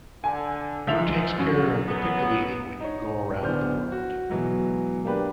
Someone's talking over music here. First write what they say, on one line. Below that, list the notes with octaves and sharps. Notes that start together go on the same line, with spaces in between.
Who takes care of the piccolini when you go around the world?
D3 G#5
G#2 F3 E5 F7
F#2 F#4
F#3 B3
D#4 C#5
D1 B3 D4 C5 F6 G6
F#4
B2 E3 F#3 G#3
A#3 D4 G4 B4